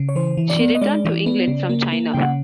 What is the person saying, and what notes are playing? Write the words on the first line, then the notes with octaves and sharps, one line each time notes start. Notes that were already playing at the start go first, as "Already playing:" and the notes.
She returned to England from China.
Already playing: C#3
C#5
E3 C5
E3
D5
B3
D#5
G#3 D5
E3
B3
C#3
A#3
A#3
C#3 G5
F#5